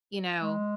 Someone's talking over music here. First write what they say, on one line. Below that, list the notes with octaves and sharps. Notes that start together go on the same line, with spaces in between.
you know,
G#3